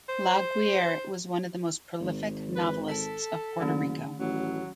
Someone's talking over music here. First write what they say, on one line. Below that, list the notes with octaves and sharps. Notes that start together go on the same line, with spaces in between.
Laguerre was one of the most prolific novelists of Puerto Rico.
C5
G#1
B4
A4 A5 B6
F#1 D#3 A3 C#4
A1 F#3